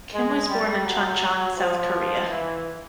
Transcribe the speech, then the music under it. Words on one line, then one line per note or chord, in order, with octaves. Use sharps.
Kim was born in Chunchon, South Korea.
G#3
G3
F#3
F3
E3